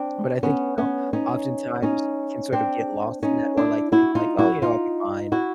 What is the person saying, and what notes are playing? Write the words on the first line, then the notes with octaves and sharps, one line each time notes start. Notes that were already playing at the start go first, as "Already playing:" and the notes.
but I think, you know, oftentimes we can sort of get lost in that, or like think like, "Oh, you know, I'll be fine,
Already playing: C4 D4
B3 C#4
B3 C#4
C#4 D#4
C#4 D#4
C4 D4
C#4 D#4
D4 E4
E4 F#4
D#4 F4
E4 F#4
D#4 F4
E4 F#4